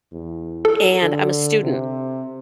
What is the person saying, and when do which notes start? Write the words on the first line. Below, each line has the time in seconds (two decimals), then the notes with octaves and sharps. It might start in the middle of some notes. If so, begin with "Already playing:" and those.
and I'm a student.
0.12 E2
0.65 A4
1.03 D3
1.62 C3